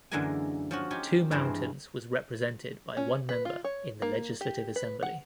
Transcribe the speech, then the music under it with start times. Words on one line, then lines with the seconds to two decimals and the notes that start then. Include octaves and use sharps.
Two Mountains was represented by one member in the Legislative Assembly.
0.12 F#2 D3 E3 G#3 A#3 G#5
0.71 F3 C#4 F#4
0.90 C#4 D#4 F4 G4 G#5
1.31 G2 E3 F3 G#3 C4 D4
2.97 C#4
3.29 B4
3.45 F4
3.64 C#5
4.02 A#3
4.41 G4
4.76 B4
5.03 F#5